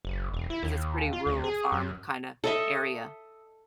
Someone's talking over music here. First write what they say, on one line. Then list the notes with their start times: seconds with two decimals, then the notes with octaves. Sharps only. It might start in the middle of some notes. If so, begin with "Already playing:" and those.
'Cause it's pretty rural farm kinda area,
0.05 F#1
0.34 E1
0.50 E4
0.63 D#2
1.13 F4
1.26 D2
1.44 G#4
1.72 F#2
2.44 A4 D#5 E5